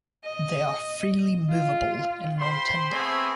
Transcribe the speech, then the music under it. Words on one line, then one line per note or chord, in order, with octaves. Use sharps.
They are freely movable and nontender.
D#5
F4
C5 G5 B5 C6
A3 B3 C4 G#4 G#5 C#6